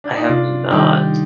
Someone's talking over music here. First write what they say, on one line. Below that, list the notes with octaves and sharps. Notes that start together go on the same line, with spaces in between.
I have not.
D4
D#4
C3 D4 F4
D#3 G3 D4 D#4 G4